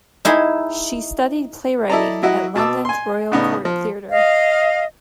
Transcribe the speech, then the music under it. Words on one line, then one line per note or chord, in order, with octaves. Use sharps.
She studied playwriting at London's Royal Court Theatre.
D#4 E4 G#4 E5
E4 A4 D5 D#5 A5 A#5
F#3 E4 F#4 D#5
B2 A5 D6 E6
G#5 C6
A2 C#3 B3 D4 D#4
F3
D#5 F5